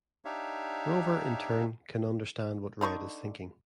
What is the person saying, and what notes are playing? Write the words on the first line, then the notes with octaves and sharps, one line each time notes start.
Rover, in turn, can understand what Red is thinking.
D4 D#4 G4 C#5 E5 F5
D3 D#4 C6 C#6